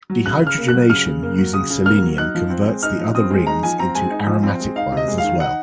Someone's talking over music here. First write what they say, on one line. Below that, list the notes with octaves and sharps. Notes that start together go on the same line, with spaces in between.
Dehydrogenation using selenium converts the other rings into aromatic ones as well.
F#3
C#3 F#6
C#3
F6
A#3
F#6
F#3
C#3 F6
C#3
A#3
F#3
C#3 D#6
C#3
A#3 F6
F#3
D#4 F#6
F3
C4
G#3
D#4 F6
F3
C4 D#6
G#3
D#4 A#5
F3 G#5
C4 A#5
G#3 G#5
D#4
F3
C4
G#3
D#4 F5
C3 D#5
G#3
F5
D#3
D#4 F#5